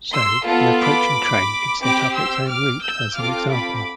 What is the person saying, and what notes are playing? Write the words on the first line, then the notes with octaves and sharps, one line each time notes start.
So, an approaching train could set up its own route, as an example.
C6 E6
B3 F4 A4
B5 D6
C4 G4 B5 D6
C6 E6
D6 F6
E6 G6
C4 F4 A4 D6 F6
B5 D6